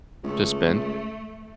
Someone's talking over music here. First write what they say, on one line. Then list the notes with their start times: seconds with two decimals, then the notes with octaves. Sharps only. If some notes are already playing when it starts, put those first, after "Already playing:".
to spend.
0.24 C#2 A3